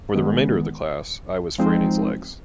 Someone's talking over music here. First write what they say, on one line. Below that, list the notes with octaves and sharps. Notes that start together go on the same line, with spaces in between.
For the remainder of the class, I was Franny’s legs.
D#3 G#3 B3
F3 G#3 C4 D#4